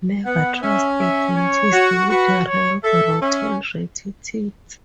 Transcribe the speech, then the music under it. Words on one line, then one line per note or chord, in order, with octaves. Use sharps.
Never trust a dentist with rank, rotten, ratty teeth.
B3 F#5
C#4 E5
E5
C#5
F#4
F#4 B4
C#5
A4 E5
C#4 E5